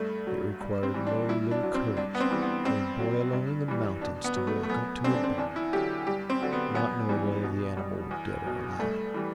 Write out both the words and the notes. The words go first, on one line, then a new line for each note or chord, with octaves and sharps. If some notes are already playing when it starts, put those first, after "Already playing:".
It required no little courage for a boy alone in the mountains to walk up to a bear, not knowing whether the animal were dead or alive.
Already playing: G2 A3
F#3
G2
C4
E3 G3
D4
G2 E4
D4
F#3
C4
G2 D4
B3
C4
E3 G3
B3
G2 C4
F#3
G2
E3 G3
B2 D4
B3
F#3
A3
A3
F#2 B3
D3 G3 C4
D4
C4
E2 D4
E4
D3 F#3 G4
G2 G4
C4
D3 F#3
B3
F#2 B3
E3 G3
B2
G3
E2
B2 F#3
G2 A3
E3 G3